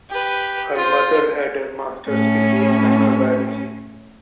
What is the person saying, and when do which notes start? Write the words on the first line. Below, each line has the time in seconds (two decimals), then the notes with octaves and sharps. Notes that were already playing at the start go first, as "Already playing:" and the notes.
Her mother had a master's degree in microbiology.
0.10 G4 B4
0.76 F4 C5
2.08 A2 C#4